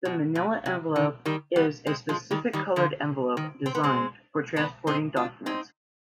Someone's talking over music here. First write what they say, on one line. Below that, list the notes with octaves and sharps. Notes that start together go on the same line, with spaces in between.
The manila envelope is a specific colored envelope designed for transporting documents.
B2
B2
C3
D#3
D#3 G3
G3 B3
G#3 C4
F3 G#3
D#3 G3
D#3 G3
D3 F3
D#3
C4
B3
G#3 C4
B3 D4
C4 D#4
D4 F4
C4 D#4